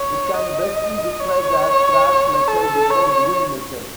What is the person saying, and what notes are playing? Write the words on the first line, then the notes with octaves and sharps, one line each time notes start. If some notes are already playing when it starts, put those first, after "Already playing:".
It can best be described as "thrash metal before groove metal".
Already playing: C#5
D#5
C#5
A4
C#5